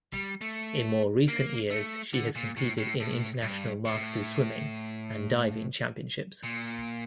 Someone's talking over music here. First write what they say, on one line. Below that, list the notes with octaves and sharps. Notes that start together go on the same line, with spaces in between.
In more recent years she has competed in international masters swimming and diving championships.
G3
A3
A#3
A3
D3
A#2
A2
A2
A2
G2
A2
A#2